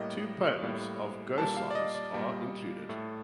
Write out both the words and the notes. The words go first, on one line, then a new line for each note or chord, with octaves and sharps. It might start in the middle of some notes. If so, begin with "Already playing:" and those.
Two poems of Gosson's are included.
Already playing: A2 G3 A#3 D#5
A2 G3 A#3
A#2 G3 A#3 A5
F5
D5
D#5
D5
A#2 G3 A#3
A2 A3